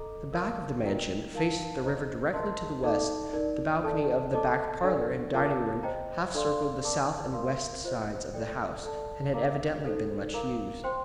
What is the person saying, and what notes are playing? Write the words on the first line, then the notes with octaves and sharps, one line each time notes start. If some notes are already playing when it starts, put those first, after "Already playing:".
The back of the Mansion faced the river directly to the west, the balcony of the back parlor and dining-room half-circled the south and west sides of the house, and had evidently been much used.
Already playing: A4 D#5 A#5 D6
A#4 F5 A5 D6
F4 A#4 D#5 G5 A#5
D#4 A#4 F5 A5
C5 D#5 A#5
A#4 D#5 A5 C6
D#4 A4 D5 A5 D6
D#4 A#4 D5
A4 D5 A5
A4 D#5 A5 D6
D4 A4 D5
F4 A#4 F5 A5 D6
C5 D#5 G5 A#5
D4 A4 D5 F5 C6
A#4 D5 A5 D6
A#4 F5 C6
F4 C5 D#5
A4 D5 G5
A4 D5 A5
A#4 F5 A#5 D6
D#4 A4 C5
A#4 F5 A#5 D6
C5 G5 C6